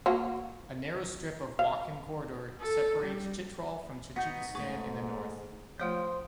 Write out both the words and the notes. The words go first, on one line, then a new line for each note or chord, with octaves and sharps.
A narrow strip of Wakhan Corridor separates Chitral from Tajikistan in the north.
A#3 F4 F#4
F5
A4
G3
B3 D#4 F#4 G6
G#2 A3 G#4 C#6
F3 A3 F4 C5 F5 G5 D#6 G6